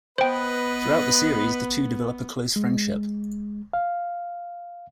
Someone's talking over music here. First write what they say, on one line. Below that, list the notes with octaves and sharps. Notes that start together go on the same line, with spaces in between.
Throughout the series the two develop a close friendship.
B3 B4 C5 D#5 G5
G#3
F5